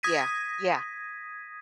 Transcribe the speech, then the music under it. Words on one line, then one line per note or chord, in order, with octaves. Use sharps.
Yeah, yeah.
D#6 G#6 A#6 B6 D#7